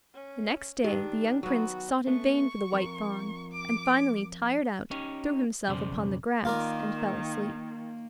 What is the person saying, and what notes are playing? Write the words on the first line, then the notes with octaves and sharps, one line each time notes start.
The next day the young Prince sought in vain for the White Fawn, and finally tired out threw himself upon the grass and fell asleep.
C#4
D#3 D4 G4
F#3 B3 F#4
A3 B3 C#4 C#6
F2 A#4
D6
C#4 D#4 G4 C#5
B1 F2 C#3 C5 D5
D#3 A#3 F4 A#4 D5